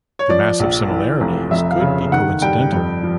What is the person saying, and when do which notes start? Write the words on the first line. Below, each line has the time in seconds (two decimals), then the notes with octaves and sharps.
The massive similarities could be coincidental.
0.19 C#5
0.29 F3 D5
0.60 A#1
0.90 E3
1.21 F1
1.51 F2 E5
1.71 F5
1.81 C#3
2.12 D#3 F#5
2.42 G2 G5
2.73 F2
3.03 F3